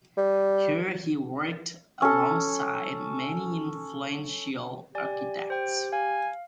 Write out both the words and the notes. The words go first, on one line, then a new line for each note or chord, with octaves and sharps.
Here he worked alongside many influential architects.
G3
C#4 A4
G4 D5 G#5
C5 G5
F5 G#5